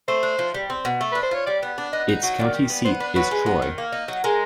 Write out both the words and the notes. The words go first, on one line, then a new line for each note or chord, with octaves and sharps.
Its county seat is Troy.
A3 C5
D4
F3
G3
C4
B2
A3
D4 B4
C5
F4 C#5
G3 D5
B3
D4
B3 D#5
D#4
F#3
D#3 D5
G3
B3
B3 C5
D4 B4
F#3 B4
G#3
B3
D#3
A#3
D#4
F#3
G#3 A#4